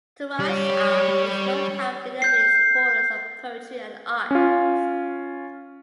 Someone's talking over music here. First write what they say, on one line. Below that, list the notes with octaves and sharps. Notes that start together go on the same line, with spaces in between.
Turanshah is known to have been an avid supporters of poetry and arts.
G3 G4 C#5
G6 C7
C#4 F4